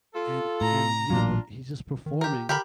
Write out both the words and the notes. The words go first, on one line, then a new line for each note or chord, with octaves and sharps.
and and, you know, he's just performing,
F4 A4
A2 A#5
A1 A#2 F#3 D4 F4
D#3
G4 A#4
D3 G4 A#4 B5